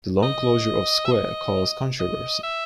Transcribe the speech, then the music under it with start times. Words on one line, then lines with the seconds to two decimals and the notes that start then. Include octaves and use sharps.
The long closure of square caused controversy.
0.23 D#5
1.06 E5
1.12 D#5
2.00 D#5
2.44 E5